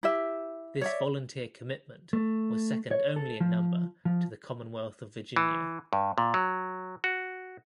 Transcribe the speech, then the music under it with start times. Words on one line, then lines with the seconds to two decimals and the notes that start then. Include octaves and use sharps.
This volunteer commitment was second only in number to the Commonwealth of Virginia.
0.03 E4 G4 E5
0.81 C#5 D5 E5
2.13 A3
2.91 C#5
3.16 A4
3.40 F3
4.05 F3
5.36 E3
5.93 G2
6.18 A#2
6.34 F#3
7.04 F#4